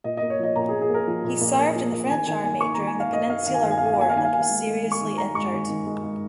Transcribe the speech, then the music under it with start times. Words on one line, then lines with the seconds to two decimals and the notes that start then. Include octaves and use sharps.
He served in the French army during the Peninsular war and was seriously injured.
0.04 A#2 D#5
0.17 A#3 D#5
0.30 C#5
0.39 F3 D#5
0.56 A#2 A#5
0.69 G#4
0.73 A#2
0.81 G#4
0.90 A#3 A#4
1.07 F3
1.24 A#2
1.41 A#2
1.59 A#3
1.75 F3
1.92 A#2
2.10 D#3 G#5
2.26 D#3 G#5
2.44 A#3 G#5
2.61 A#3 C#6
2.74 D#3 A#5
2.86 G#5
2.95 D#3 F5
3.12 A#3 D#5
3.30 A#3 F5
3.47 D#3 F5
3.54 G#5
3.62 D#3 F5
3.71 G#5
3.78 F5
3.81 A#3 G#5
3.94 F5
3.98 A#3 G#5
4.10 F5
4.15 D#3 G#5
4.25 F5
4.33 D#3 G#5
4.41 F5
4.49 G#3
4.66 G#3
4.83 D#3
4.92 C#6
5.00 D#3
5.18 G#3 A#5
5.35 G#3 C#6
5.52 D#3
5.69 D#3
5.86 G#3
6.04 G#3